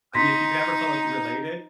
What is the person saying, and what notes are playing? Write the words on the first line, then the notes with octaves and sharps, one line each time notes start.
I mean, if you've never felt like you related
D#4 C6 A#6 B6